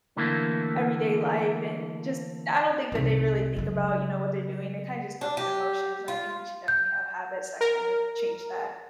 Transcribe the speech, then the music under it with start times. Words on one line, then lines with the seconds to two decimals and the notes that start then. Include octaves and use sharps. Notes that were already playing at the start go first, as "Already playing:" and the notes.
everyday life. And just I don't think that they really think about, you know, what they're doing. They kinda just go through the motions, and I think we should definitely have habits that kind of change that.
0.17 D3 E3 A3 A#3
2.92 C2 D#4
3.56 C#3 F#3
5.21 D4
5.37 G4
6.08 F4
6.68 G6
7.61 A#4